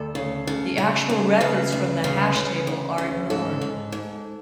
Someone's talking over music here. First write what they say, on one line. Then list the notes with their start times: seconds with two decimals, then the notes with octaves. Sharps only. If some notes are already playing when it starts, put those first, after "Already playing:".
The actual records from the hash table are ignored.
Already playing: D2 A4
0.15 C#3
0.47 C#3
0.78 C#3
1.10 D2
1.41 C#3 B4
1.72 D2
2.04 C#3
2.36 C#3
2.67 D2
2.98 C#3
3.30 G#2 A4
3.61 G#2
3.92 G#2